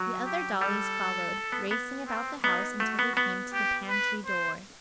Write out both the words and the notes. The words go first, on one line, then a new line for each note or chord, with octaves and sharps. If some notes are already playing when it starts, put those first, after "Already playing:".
The other dollies followed, racing about the house until they came to the pantry door.
Already playing: F#3
G4
G3 A4
B3
B3
C4
B3 D#4
A3 F#4
B3
B3
G4
B4
C5